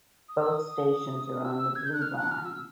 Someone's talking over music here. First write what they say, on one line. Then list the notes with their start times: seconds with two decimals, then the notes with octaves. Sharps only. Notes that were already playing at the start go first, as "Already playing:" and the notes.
Both stations are on the Blue Line.
0.29 D#6
0.40 E6
0.51 D#6
1.45 E6
1.76 G#6
1.84 G6
1.93 F#6
2.02 F6
2.17 F#6
2.31 F6
2.45 E6